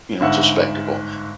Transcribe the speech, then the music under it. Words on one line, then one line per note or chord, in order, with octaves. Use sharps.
you know, it's a spectacle.
G1 G#2 E5 F#5